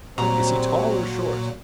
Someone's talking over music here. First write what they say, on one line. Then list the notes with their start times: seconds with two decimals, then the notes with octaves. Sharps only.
"Is he tall or short?"
0.18 A#2 F#3 G3 C4 A#5